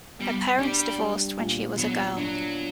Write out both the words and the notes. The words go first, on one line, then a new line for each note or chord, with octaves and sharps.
Her parents divorced when she was a girl.
G3 B3
G3 D4
G3
A#2
F#3 B3
F#3 D4